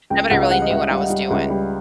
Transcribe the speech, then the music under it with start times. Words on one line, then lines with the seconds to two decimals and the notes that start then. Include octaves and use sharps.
Nobody really knew what I was doing.
0.10 C#2 G5
0.31 C#2 F#5
0.42 F5
0.50 G3 F#5
0.62 D#5
0.71 C#2 E5
0.91 G3
1.10 G3
1.30 C#2
1.50 G3